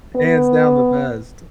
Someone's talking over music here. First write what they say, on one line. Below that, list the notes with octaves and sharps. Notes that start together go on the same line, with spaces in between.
hands-down the best!
B3